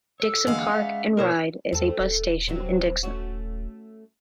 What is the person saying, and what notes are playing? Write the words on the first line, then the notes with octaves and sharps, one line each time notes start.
Dixon Park and Ride is a bus station in Dixon.
A4 C#5 E6
D3 E3 G#3 A#3 F5 F#5
C#4 D#5 E5
B2 A#3 E4 A#4 C5 C#5
E2 A3 C4 A4
D#1
C3 F#3 C4
A3 C#4 F#4